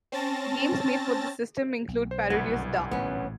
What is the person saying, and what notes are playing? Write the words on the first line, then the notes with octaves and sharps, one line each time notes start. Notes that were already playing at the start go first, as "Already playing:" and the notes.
Games made for this system include Parodius Da!
C4 C#4 A5 A6 A#6
B1
C5
G1 C2 B3 G#6
A1 A#2 B3 C#4